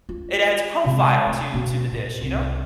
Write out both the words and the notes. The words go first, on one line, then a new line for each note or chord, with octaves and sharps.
it adds profile to to the dish, you know?
F4
C3 G#3
A3
B2 B3
A2
C2